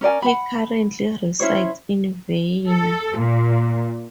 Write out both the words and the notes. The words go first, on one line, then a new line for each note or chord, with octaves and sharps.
He currently resides in Vienna.
C#4 A#4 D5 G#5
F#5 B5
C#4 E4 C5 C#5
A4
A#2